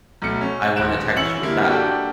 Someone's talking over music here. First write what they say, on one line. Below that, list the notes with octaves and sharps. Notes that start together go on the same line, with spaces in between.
I want a texture that way.
B1 A3 C#7
C#4
D#1 F#6 D7 E7
E3 C#4 E6 C#7 F#7
D3 G3 A#3 E4
A#3 D4 F#4 G4 A4